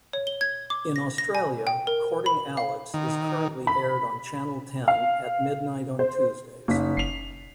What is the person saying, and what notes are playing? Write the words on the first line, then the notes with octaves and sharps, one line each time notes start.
In Australia, "Courting Alex" is currently aired on Channel Ten at midnight on Tuesdays.
C#5
G7
G#6
D6
A#6
A#6
G#5
G5
A#4
B5
F5
D#3
B5
F5
C5
F#1 A#3 D#4 B6
F#1 C7 F7